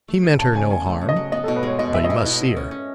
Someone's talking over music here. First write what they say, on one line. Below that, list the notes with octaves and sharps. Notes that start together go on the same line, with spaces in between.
He meant her no harm--but he must see her.
A3
E4
C#3 A5
C#3 G#5
C#3 G#5
A3
C#3
D#5
F#3
B3 D#5
B2 A4
B4
G#3 C#5
B2 D#5
B2 E5
D#5
B2 E5
E4
E4
C#4
C#4